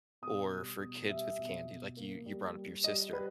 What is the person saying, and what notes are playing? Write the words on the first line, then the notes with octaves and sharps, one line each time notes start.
Or for kids with candy, like, you you brought up your sister
B2 D#6
G3
B2
G3 E5
B2
B2
A#3
G3
G3
G3 D#5
G3 B4